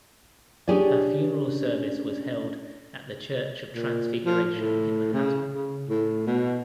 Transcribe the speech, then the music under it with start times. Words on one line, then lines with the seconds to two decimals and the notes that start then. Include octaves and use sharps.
Her funeral service was held at the Church of Transfiguration in Manhattan.
0.68 C#4 D4 G4 G#4 C#5 D5
3.74 A#2
4.26 F3
4.51 A2
5.13 C#3
5.49 C#3
5.89 A2
6.27 B2